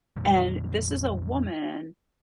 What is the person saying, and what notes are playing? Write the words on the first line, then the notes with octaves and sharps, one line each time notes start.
and this is a woman
F2 A#2 D#3 G3